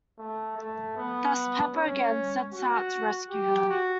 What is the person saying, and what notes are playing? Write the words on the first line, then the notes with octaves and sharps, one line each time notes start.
Thus, Pepper again sets out to rescue her...
A3
A3
B3
C#4
F#4
G4
F#4